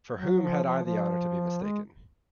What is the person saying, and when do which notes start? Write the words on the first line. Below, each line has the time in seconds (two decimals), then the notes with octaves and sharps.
For whom had I the honour to be mistaken?
0.14 F#3
0.44 F3
0.64 F3
0.85 F3
1.64 G#3